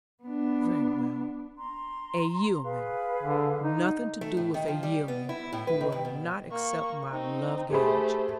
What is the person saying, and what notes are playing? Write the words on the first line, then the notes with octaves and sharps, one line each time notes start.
'Very well, a yeoman--nothing to do with a yeoman who will not accept my love-gage.
B3 D4
A#5 C6
G#4 B4 F5
D3
D#4
A3
A2
D#3
F3
G3
B3
E4
A2
B4
D#3
G2
B2
A#3 C#6
C4 D#4
A3 G4 G#4 C5 B5